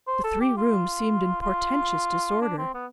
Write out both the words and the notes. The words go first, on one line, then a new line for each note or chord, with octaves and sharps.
The three rooms seemed in portentous disorder.
C5
A4
G4
F4
F4
D4
C4
B3